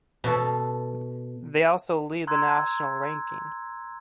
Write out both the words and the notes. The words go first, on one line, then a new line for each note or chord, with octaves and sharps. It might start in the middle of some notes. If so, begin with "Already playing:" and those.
They also lead the national ranking.
B2 A4
A#5 C6 E6 F#6 G#6